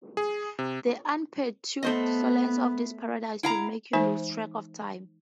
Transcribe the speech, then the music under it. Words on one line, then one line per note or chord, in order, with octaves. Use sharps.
The unperturbed solace of this paradise will make you lose track of time.
G#4
C3
A3 B3 C5 D#5
E4 F5 A#5
E3 G#3 D#4 C5 G#5